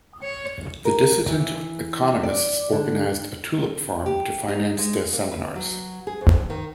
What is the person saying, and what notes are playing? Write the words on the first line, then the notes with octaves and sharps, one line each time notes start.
The dissident economists organized a tulip farm to finance their seminars.
C#5
A#4
E3
D5
D3
G4
D#4
G#3
A#3
B4
F#3
G#4
F2
D#3